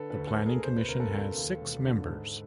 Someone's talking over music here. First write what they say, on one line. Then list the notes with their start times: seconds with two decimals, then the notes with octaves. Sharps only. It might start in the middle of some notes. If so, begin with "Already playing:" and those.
The Planning Commission has six members.
Already playing: D3 A4 B4
0.10 A4 B4
0.16 D2
0.27 A4 B4
0.41 D2
0.46 G#4 A#4
0.64 B2 C5
0.77 B4
0.88 C#2 A#4
1.00 A4 B4
1.13 C#2
1.37 D#2
1.61 E1
1.85 D3
2.09 G#2